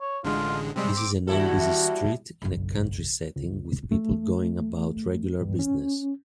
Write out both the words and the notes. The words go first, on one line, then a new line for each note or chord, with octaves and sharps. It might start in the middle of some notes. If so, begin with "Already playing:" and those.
This is a non busy street in a country setting with people going about regular business.
C#5
A1 D3 G#3 F4
C3 G3 G#3 C4
D6
D#2 G3 E4 F#4 A4
F#1 B1
C#2
A3
G2
C#4